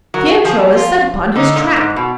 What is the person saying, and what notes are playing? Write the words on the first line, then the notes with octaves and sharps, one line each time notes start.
Pietro is set upon his track.
F#3 A#4
F3 G#4
F4
D3 D#4
A#2
G#2
B2